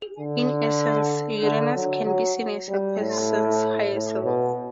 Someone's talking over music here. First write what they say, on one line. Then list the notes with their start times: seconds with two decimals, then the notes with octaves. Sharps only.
In essence, Uranus can be seen as a person's higher self.
0.19 D3
1.43 D3
1.75 F#3
2.05 F#3
2.68 G3
2.99 A2
3.93 A2
4.24 B2